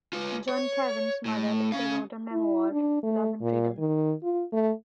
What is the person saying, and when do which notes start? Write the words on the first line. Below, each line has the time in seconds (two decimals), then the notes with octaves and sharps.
Jan Kavan's mother later wrote a memoir, "Love and Freedom".
0.13 F4 B4
0.49 C#5
1.26 A2
1.72 C#4 F5
2.32 E4
2.72 D4
3.03 A3
3.42 A#2
3.78 D#3
4.23 F4
4.53 A3